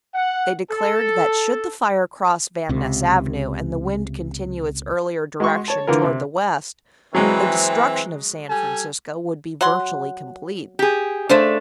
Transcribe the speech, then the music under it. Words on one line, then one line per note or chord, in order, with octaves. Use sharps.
They declared that should the fire cross Van Ness Avenue and the wind continue its earlier direction toward the west, the destruction of San Francisco would be virtually complete.
F#5
A4
C#2 C3
G#3 F#4 C6 C#6
C#5 A5
D3 E3 F4 A#4
C3
E3 F#3 G#3 C4
G3 A4 G#5
F#3 F#5 C6
G4 G#4
C#3 A3 D4 C5